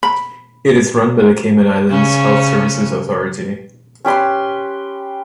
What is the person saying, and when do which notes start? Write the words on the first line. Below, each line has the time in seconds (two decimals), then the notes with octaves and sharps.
It is run by the Cayman Islands Health Services Authority.
0.03 B5
1.90 C#3 C#4
4.05 C#4 G4 B4 C6